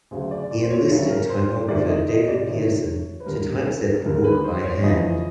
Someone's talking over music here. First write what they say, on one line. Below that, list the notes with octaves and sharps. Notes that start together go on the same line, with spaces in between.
He enlisted typographer David Pearson to typeset the book by hand.
D2 C#3 F#3 G#4
D5
D5
C5
C#5
D2 C#3 F#3 C#5
A#4
C5
D2 C3 D#3 D5
D#5
D#5
D#5
D5
D2 C3 D#3 C#5
B4
D#2 D3 G3 A#4
D#2 D3 G3 A#4
A#4
B4
C5
C#5
E2 C#3 F3 D#5